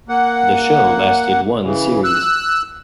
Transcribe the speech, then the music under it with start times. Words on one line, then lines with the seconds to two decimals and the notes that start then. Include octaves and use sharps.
The show lasted one series.
0.09 A#3 F#5
1.64 C#3 E3
2.04 E6 F#6